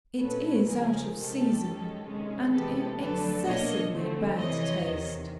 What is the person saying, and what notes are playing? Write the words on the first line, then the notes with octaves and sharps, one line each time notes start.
It is out of season, and in excessively bad taste.
A#2 F#3 A3 C#4 A4 B4
F2 C#3 F3 A#3 G#4 A#4
C3 D#3 G#3 G4 A4
F#2 D#3 G#3 C#4
C3 D#3 G#3 C#4
C3 E3 G#3 B3 G4 A4
F2 D3 F#3 A3 D4 A4 B4
B2 F#3 A#3 D4 C#5 D#5
D3 F3 A3 C4
F2 C3 E3 C#5 D#5
E2 C3 D#3